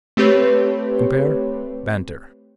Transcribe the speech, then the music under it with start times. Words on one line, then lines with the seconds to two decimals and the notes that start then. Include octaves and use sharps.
Compare BANTER.
0.17 A3 C4 G4 B4 C#5